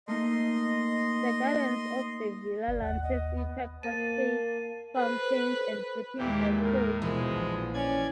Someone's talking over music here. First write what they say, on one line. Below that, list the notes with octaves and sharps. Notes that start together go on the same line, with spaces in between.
The gardens of the Villa Lante feature cascades, fountains and dripping grottoes.
A3 A#3 D#4 D#5 C6
G1 D5
D#2 F#5
D#5
B3
A#3 A#4 C5 A5 D#7
A4 B4 C5
D#2 A#2 E3 G#3 G4
A2 A#4
D2 B2 E3 F3 G#3
A#1
C#4 D5 G#6